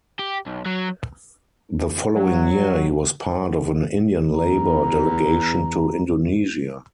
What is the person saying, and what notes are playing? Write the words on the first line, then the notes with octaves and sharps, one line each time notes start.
The following year he was part of an Indian Labour delegation to Indonesia.
G4
B1
F#3
F#3
E2 A#5